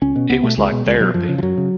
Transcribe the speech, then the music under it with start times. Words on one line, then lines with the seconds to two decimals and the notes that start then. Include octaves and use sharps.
It was like therapy.
0.02 C#2 C#4
0.16 B2
0.29 C#2 B3
0.43 B2 A3
0.57 C#2 G#3
0.72 B2
0.86 C#2 G#3
1.00 B2 F#3
1.14 F#2 F3
1.29 C#3
1.38 F3
1.43 F#2 F#3
1.58 C#3